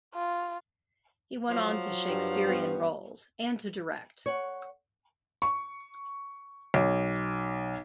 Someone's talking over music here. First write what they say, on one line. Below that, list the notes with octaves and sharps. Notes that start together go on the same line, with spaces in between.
He went on to Shakespearean roles, and to direct.
F4
F3 F#3
G2 G3
G3 B3 C#4
C#5 F#5
C#6
B1